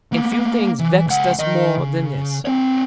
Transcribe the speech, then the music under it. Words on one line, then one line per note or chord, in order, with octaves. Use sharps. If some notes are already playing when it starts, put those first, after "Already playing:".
And few things vexed us more than this.
A#3 B3
E3
C#2 F#5
D#3 D#5
C#3
C4 C#5